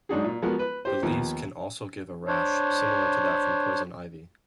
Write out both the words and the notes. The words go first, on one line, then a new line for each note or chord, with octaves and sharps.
The leaves can also give a rash similar to that from poison ivy.
G#2 F#3 D4 D#4 F#4 G#4
A#2
F3 G#3 B3 F#4 A#4
B4
G4 C5
D#2 F3 B3
D4 C5 C#5